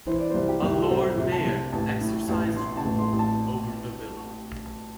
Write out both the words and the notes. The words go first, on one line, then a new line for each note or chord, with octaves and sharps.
A Lord Mayor exercised rule over the villa.
E3 C5
D5
C2 C5
G4
C2
G4
A4
C3 C5
C3
A5
C2
A1 A5
A2
A1
A2 C6
A5
A1
C6
A1
A5